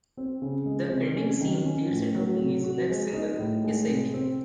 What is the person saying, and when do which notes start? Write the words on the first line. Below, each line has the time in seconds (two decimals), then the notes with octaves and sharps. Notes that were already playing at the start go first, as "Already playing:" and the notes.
The ending scene leads into Kumi's next single, Kiseki.
0.17 C4
0.42 C#3
0.66 G#3
0.91 C3
1.16 C#4
1.41 D#3
1.65 C#4
1.91 A2
2.15 F#3
2.39 C3
2.64 F#4
2.89 G#3
3.14 D#4
3.39 A2
3.64 G#3
3.88 C3
4.14 C4